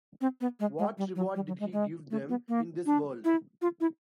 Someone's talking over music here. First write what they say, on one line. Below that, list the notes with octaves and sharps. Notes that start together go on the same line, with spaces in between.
What reward did He give them in this world?
C4
B3
G#3
G#3
G3
F#3
G3
F#3
G#3
G#3
A3
B3
A#3
D4
E4
F4
E4